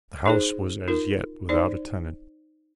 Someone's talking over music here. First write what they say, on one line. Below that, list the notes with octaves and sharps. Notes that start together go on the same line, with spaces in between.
The house was as yet without a tenant.
D#4 G#4 C5
D#4 F4 A#4
D#4 C5 D5